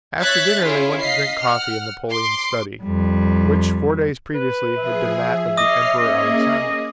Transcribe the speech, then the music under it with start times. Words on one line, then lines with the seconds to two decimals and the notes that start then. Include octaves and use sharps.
After dinner they went to drink coffee in Napoleon's study, which four days previously had been that of the Emperor Alexander.
0.20 C#5 E5 F#6 G#6 A6 B6
0.63 C#4 E4 F4 G#4
0.99 D#5 F5 B6 C7
1.40 F#5 F6
2.10 C6 D6
2.83 F2 G3
4.35 B4
4.78 F3 G#4 E5
5.57 C#5 D#5 D6 D#6 F6 C7
5.98 A#3 C#4 G#4 D#5